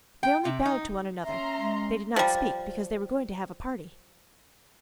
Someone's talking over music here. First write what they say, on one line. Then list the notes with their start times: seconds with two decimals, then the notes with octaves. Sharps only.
They only bowed to one another; they did not speak, because they were going to have a party.
0.23 G5
0.45 C3
0.66 D#4
1.24 C#4 E5 A#5 C6
1.58 G#3
2.16 F3 G3